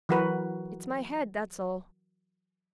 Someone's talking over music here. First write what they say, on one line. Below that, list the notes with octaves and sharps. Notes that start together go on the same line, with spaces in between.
It's my head, that's all.
E3 F#3 F#4 A#4 B4